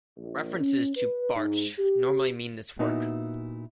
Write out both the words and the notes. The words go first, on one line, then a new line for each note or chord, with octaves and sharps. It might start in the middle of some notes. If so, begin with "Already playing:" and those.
References to "Bartsch" normally mean this work.
A#1
C#4
B4
G#2
G4
A#2 B3 D#4 E4 F#4